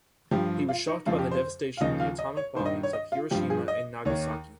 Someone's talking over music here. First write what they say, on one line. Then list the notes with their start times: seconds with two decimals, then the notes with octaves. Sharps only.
He was shocked by the devastation of the atomic bombings of Hiroshima and Nagasaki.
0.31 G2 F3 G4
0.69 F4
0.87 D#4
1.06 F2 C#3 F3 F4
1.18 G4
1.31 C5
1.77 F5
1.80 D#2 C#3 F3 D#5
2.00 F5
2.19 D#5
2.37 C#5
2.55 D#3 C5
2.59 G2
2.66 D#5
2.83 C#5
2.93 D#5
3.12 F4
3.31 G2 F3 G4
3.50 G#4
3.68 D#5
4.05 D#2 D#3 C#5